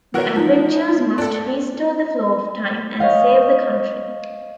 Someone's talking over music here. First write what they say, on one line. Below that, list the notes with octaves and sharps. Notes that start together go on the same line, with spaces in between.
The adventurers must restore the flow of time and save the country.
E3 F#4 A#4
F3 D#4
D4 A4
C#5 D#5 F5 G6